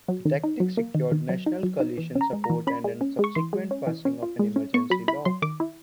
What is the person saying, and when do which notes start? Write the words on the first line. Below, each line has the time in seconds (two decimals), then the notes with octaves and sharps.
The tactic secured National Coalition support and the subsequent passing of an emergency law.
0.08 F#3
0.25 D#3
0.44 D#4
0.60 F#3
0.77 A#3
0.95 D#3
1.12 D#3
1.29 F#3
1.46 D#4
1.63 F#3
1.80 D#4
1.98 E3
2.15 C#4
2.21 A#5
2.33 G#3
2.44 A#5
2.50 E3
2.67 C#4 B5
2.84 G#3
3.01 C#4
3.19 G#3 C#6
3.35 E3 C6
3.53 G#3
3.71 C#4
3.87 E3
4.05 C#4
4.23 F4
4.39 G#3
4.56 C#4
4.74 B3 C#6
4.90 F#3 B5
5.08 E4 B5
5.25 F#3 C6
5.42 D#3 D6
5.60 E4